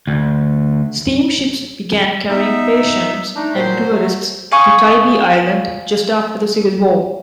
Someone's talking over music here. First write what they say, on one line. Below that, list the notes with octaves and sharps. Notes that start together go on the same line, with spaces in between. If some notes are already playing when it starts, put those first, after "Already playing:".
Steamships began carrying patients and tourists to Tybee Island just after the Civil War.
D2
B3 D#4 E5
A3 D4 D#4
A#2 F#3 C5
F#3 A3
F5 G#5 C#6 D#6